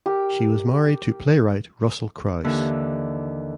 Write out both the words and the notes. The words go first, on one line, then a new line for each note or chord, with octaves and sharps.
She was married to playwright Russel Crouse.
G4 A#4
D#2 D3 E3